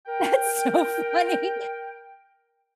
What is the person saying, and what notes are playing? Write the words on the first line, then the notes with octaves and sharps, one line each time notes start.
That's so funny.
A#4 G5